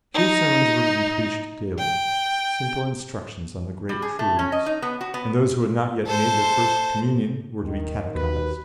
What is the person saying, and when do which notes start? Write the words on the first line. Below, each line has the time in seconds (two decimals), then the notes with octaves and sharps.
Two sermons were to be preached daily--simple instructions on the great truths--and those who had not yet made their First Communion were to be catechized.
0.14 D#4
1.78 G5
3.89 G3
4.02 G#4
4.19 A3
4.39 C#4
4.52 D#5
4.66 D#4
4.82 B3
5.01 F#4
5.14 B3
6.06 A4 C5
7.64 D#2 D#3
8.15 D#2 F#4 B4